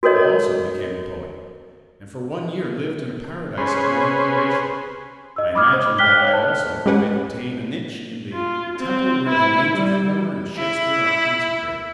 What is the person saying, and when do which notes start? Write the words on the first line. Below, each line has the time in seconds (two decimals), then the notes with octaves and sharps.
I also became a poet and for one year lived in a paradise of my own creation; I imagined that I also might obtain a niche in the temple where the names of Homer and Shakespeare are consecrated.
0.03 F#4 A4 A#4 C#5 D#5
3.58 C#4 G#4 B4 C5
5.36 D#5 E6
5.55 B5 D6 D#6 F6 G#6
5.73 C5 D6
5.98 G5 F6 F#6 B6 G7
6.21 C#5
6.33 C5 A5 F#6
6.86 G#3 C#4 G4 B4 F#5 G#5
8.33 F4
8.78 C4
9.29 E4
9.76 G3
10.57 E4